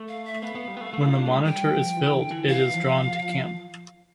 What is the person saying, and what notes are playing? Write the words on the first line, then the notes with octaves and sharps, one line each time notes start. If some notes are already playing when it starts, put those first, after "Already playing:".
When the monitor is filled it is drawn to camp.
Already playing: A3
F5
E5
B3 F5
B3
G3
B3
A3
A3
F4
D4
A3
G3
G3 G5
G3
F3
E3
D3
E3
E3 F5
F3